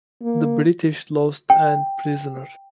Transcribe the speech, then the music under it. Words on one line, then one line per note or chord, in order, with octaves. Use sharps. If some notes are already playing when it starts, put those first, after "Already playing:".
The British lost and prisoner.
A#3
G5